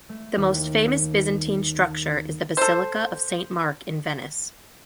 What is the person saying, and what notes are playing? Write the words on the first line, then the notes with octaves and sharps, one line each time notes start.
The most famous Byzantine structure is the Basilica of Saint Mark in Venice.
A3
D#2
A4 C5